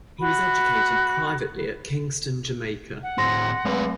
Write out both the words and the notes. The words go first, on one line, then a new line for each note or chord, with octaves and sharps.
He was educated privately at Kingston, Jamaica.
F#4 B5
F#5
A2 C4 C6 A#6
F#3 G#3 A3 C4 B4